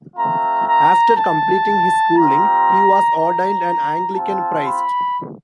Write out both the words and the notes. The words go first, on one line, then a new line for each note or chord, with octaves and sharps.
After completing his schooling, he was ordained an Anglican priest.
A3 C4 F4 A#5
A#5
A5
G3 C4 F4 A#5
A#5
C4 F4 A5
B5